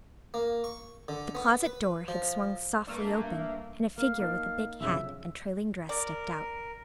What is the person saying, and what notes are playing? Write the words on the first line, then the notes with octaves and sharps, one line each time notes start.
The closet door had swung softly open, and a figure with a big hat and trailing dress stepped out.
A#3
C#6
D3
B3
B4
F3
G2 A3 A#3
A#3 F5
A#3 D#4 F5 A5
B1 F2 C#3 E5
A#4 D5